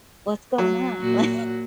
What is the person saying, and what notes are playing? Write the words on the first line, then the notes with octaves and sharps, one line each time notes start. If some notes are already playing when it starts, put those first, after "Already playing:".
"What's going on?" Like
F#3
A#2 A#3 F#4